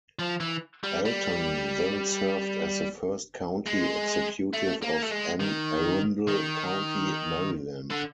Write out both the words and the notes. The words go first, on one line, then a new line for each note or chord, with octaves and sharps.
Alton then served as the first County Executive of Anne Arundel County, Maryland.
F3
E3
G3
G3
G#3
A3
A#3
A3
G#3
D#3
D#3
D3